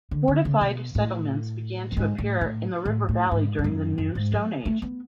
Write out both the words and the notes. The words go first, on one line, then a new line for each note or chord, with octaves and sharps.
Fortified settlements began to appear in the river valley during the New Stone Age.
D3
D3
C#3
B2
A2
F#2
G#2
A2
A2
A2
A2
G#2
G#2
F#2
F#2
G#2
F#3
A3
B3